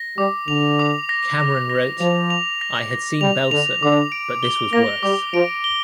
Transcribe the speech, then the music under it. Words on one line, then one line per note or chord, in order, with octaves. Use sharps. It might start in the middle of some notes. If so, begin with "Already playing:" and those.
Cameron wrote, I had seen Belsen, but this was worse.
Already playing: A#6
G3 D6
D3 F7
D6
A#6
A#6
A#6
F3 F7
F7
A#6
A#6
G3 F7
D3 F7
D3 D6
D7
G7
A#3 A#6
G3 D6
F3 D7
G7